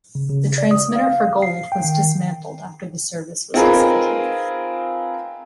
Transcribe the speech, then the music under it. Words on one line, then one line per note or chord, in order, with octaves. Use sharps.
The transmitter for Gold was dismantled after the service was discontinued.
C#3
C#3
D5
D#6
F5
C7
G5
D#3
C4 D#4 F4 G#4 A#4 B4